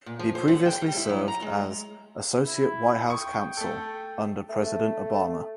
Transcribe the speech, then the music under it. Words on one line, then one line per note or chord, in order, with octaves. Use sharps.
He previously served as Associate White House Counsel under President Obama.
A#2
F3
C5
D3
G5
G3
E4
F#3
A#5
G#3
E4
G5 C#6 D#6
A3 A4
A3